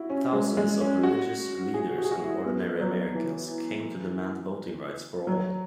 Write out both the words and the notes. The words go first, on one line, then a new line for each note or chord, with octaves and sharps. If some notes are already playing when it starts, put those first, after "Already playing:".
Thousands of religious leaders and ordinary Americans came to demand voting rights for all.
Already playing: E4 F#4
C#4
G#3
G#3
C#4
F#4
G#4
F#4
G#4
F#4
E4
B3
F#3
E3
F#3